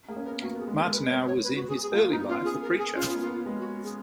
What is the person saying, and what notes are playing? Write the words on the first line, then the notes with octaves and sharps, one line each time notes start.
Martineau was in his early life a preacher.
A#3 G#4
C#4
B3 A#4
A#3 F#4
B3
G#4
G#3
A#4
G#3
A#4
B3 B4
C#5
C#5
B4
F#4
G#4
G#4
A#3 F4
B3 D#4
C#4 F4
G#4
A#4
G#4
C#4 F4
B3
A#3 F4
B3
G#3
F#4
G#4